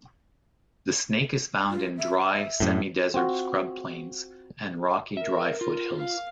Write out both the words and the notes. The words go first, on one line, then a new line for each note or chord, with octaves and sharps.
The snake is found in dry, semi-desert scrub plains and rocky dry foothills.
F4
E5
F#2 A2
C4 F4 F#4
A#4 E5
F4
F5